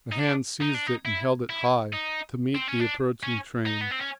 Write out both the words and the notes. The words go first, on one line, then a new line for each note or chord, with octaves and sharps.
A hand seized it and held it high to meet the approaching train.
D#4
D4
D#4
D4
D#4
E4
E4
D#4
C4
C#4
D4
C#4
D#4
B3
C4
C#4